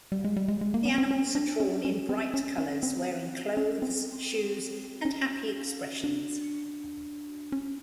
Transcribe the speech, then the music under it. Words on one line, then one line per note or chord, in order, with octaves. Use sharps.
The animals are drawn in bright colors, wearing clothes, shoes, and happy expressions.
G3
G#3
G3
G#3
G#3
A#3
B3
C4
C#4
D4
C#4
C#4
C4
C#4
C#4
C4
C#4
C4
C#4
D4
C#4